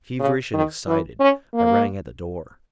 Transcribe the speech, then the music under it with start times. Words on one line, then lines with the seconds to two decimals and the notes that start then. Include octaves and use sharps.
Feverish and excited, I rang at the door.
0.20 C#3
0.54 D#3
0.87 E3
1.20 C#4
1.54 A#3